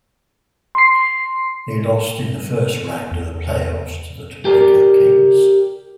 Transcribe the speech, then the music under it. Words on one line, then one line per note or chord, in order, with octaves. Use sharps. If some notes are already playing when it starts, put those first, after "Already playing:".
They lost in the first round of the playoffs to the Topeka Kings.
C6 C7
E2
G4 A#4 D5